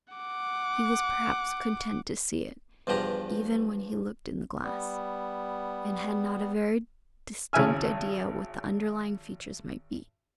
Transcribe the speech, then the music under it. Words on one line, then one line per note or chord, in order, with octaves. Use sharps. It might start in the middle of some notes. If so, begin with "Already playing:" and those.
He was, perhaps, content to see it, even when he looked in the glass, and had not a very distinct idea what the underlying features might be.
F#5 D6
E2 G2 F3 G4 A#5
G3 B3
G#1 C#3 E4 E5 G#5 F6